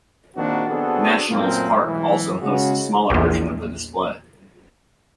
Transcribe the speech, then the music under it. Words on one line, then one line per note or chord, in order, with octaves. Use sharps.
Nationals Park also hosts a smaller version of the display.
A#1 D#3 A#3 C4 D4 F#4
B3 C4 D4 F#4 G#4 A4
F#2 A#2 A3 A#3 C4
B1 G#2 E3
C#3 G#3 F#4
A#1 E2